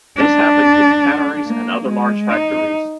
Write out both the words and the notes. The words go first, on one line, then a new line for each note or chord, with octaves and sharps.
This happened to the tanneries and other large factories.
D4
A#3
G#3
D#4